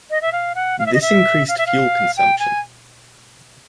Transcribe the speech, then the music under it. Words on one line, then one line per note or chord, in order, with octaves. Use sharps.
This increased fuel consumption.
D#5
E5
F5
F#5
F5
E5
D#5
E5
F5
E5
F5
G5
G#5